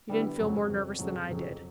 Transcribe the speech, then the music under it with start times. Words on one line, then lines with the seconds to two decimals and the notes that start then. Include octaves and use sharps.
You didn't feel more nervous than I did.
0.09 D3 G3 B3 E4
0.39 F2 C#3 F#3
0.69 F2 C#3 F#3
0.99 F2 C#3 F#3
1.29 F2 C#3 F#3